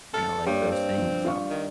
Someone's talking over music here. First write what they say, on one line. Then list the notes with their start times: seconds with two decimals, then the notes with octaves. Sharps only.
you know, like those things, um
0.14 A4 F6 A6 C#7
0.46 G2 G3 A#3 C#5
0.72 C4
0.98 F3
1.25 F4 F5 C#6
1.50 D#3